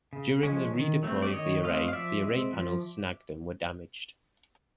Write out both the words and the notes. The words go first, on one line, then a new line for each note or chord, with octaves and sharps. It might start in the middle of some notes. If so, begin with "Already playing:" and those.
During the re-deploy of the array, the array panels snagged and were damaged.
C#3
F3 G#3 C#4
D#3
F#3 A3 C4
D5
D#3 C#5 D#5
F#3 A3 C4 D#5 F5
F5
F3 D5 E5
G#3 C4
F3